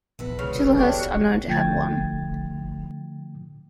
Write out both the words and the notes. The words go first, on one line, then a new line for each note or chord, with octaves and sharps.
Chislehurst are known to have won.
A#1 E2 B4 F#5
C#2 C#3 F6
F2
A3 D4 G4 C#5
F#4
D3 F3 A3 G5 G#6 A6